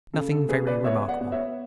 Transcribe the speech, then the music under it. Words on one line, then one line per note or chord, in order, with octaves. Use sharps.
Nothing very remarkable.
C#3 A4
A4
C#3 G#4 B4
B4 D5
B3 C#5 E5
D5 F#5
B3
C#5 E5